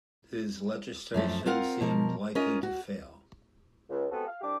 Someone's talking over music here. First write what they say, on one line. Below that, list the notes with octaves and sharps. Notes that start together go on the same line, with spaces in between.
His legislation seemed likely to fail.
F#2 F3 A3
C4 F4 A#4 F5 F#5
B2 F3 A#4
C#4 F4 A#4 D#5
F#4
C#2
G#3 B3 C4 F#4 G4 A4
F5
C2 G3 D4 G4 D6